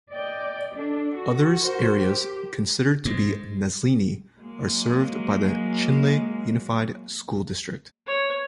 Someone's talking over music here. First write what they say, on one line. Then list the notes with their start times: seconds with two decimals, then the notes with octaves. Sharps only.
Others areas considered to be "Nazlini" are served by the Chinle Unified School District.
0.12 D5 D#5 G5
0.75 D4 A4
1.15 F#4
1.57 A#4 C5
1.99 G4
3.05 G#2
4.37 F#3 G#3 A#3
8.07 C#5